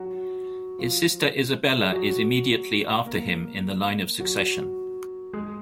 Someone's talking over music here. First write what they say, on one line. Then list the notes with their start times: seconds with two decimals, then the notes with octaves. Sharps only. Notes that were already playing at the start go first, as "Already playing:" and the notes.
His sister Isabella is immediately after him in the line of succession.
Already playing: F#3 F#4
0.79 F3 F4
1.81 G#4
1.92 F#3 F#4
3.06 A#3 A#4
4.20 F#3 F#4
5.33 G#3 G#4